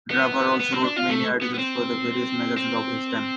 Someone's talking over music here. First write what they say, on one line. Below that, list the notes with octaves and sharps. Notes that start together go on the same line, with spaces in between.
Draper also wrote many articles for the various magazines of his time.
B3
B3
C4
D4
F4
A3
B3
B3
C4
C4